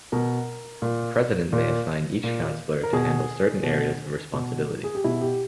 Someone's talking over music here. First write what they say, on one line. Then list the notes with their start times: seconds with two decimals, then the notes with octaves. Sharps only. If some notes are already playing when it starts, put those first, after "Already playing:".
The president may assign each counselor to handle certain areas of responsibility.
0.12 B2 A#4
0.82 A#2
1.53 A#2
2.23 A#2
2.83 A#4
2.93 B2 G#4
3.63 B2
4.34 B2
4.84 G#4
4.95 G4
5.04 B2 E4
5.21 G4